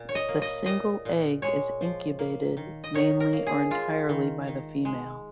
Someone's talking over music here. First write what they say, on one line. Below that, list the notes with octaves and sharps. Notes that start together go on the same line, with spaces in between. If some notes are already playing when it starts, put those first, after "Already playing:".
The single egg is incubated mainly or entirely by the female.
Already playing: A#2
C#5
D#5
A#3
D#5
A#2 D#5
A#2
G#3 C#5
F3
A#3
D#3
D#5
D#3 C#5
A#4
A#3
G#4
G#3 F4
D#3
D#3
G#3